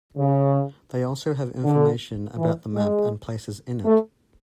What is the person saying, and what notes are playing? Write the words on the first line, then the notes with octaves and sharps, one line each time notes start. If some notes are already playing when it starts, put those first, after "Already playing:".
They also have information about the map and places in it.
C#3
D3
E3
G#3
A3